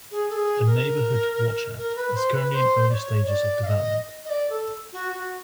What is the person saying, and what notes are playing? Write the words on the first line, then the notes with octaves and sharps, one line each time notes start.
A neighbourhood watch app is currently in early stages of development.
G#4
A4
G#4
A#4
A#4
B4
C5
B4
C5
D5
C#5
D5
F5
D#5
D#5
D5
A4
F#4
F#4